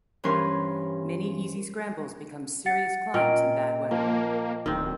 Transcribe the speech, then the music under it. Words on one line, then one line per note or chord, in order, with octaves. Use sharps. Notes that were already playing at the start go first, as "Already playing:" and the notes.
Many easy scrambles become serious climbs in bad weather.
G2 E3 C#4 A#4 C5 C6
F#5 A6 C#7
A#2 C#4 A#4 D#5 G5 D7
F3 A#3
D1 D#3 C4